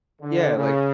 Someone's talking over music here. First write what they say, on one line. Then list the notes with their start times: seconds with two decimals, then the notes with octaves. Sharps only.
Yeah, like
0.21 D3
0.56 C#3